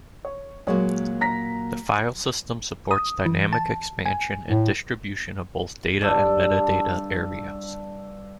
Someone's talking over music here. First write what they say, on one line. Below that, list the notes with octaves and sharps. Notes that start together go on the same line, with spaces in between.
The file system supports dynamic expansion and distribution of both data and metadata areas.
C#5
A#2 F#3 G#3 A#3 C#5
A#5 A#6 B6
D#6
E3
A5
G#5
A2
G2 A4